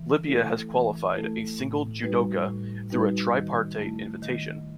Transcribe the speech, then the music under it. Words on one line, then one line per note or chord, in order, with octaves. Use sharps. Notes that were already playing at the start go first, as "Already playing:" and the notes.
Libya has qualified a single judoka through a tripartite invitation.
Already playing: E3
A3 E4 A4
E3
A3 E4 A4
A2
G3 D#4 F#4 B4
A2
G3 D#4 F#4 B4
D#3
A3 E4
D#3